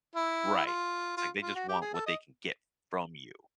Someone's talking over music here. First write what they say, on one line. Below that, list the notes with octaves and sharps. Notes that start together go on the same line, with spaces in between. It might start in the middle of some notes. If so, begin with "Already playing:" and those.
Right. It's like they just want what they can get from you."
E4
F4
F4
F4
F#4
G4
G#4
A4
D#5